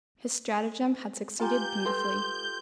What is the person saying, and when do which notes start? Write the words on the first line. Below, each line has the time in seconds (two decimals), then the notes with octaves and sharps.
His stratagem had succeeded beautifully.
1.40 F4 G4 G#5 A#5 G6
1.85 A4 B4 C6